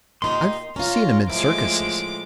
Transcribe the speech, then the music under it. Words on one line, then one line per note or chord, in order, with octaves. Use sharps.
"I've seen 'em--in circuses."
A#2 D#4 G4 C6
C#4 F4 A#5
A2 F3 G#3 E4 D6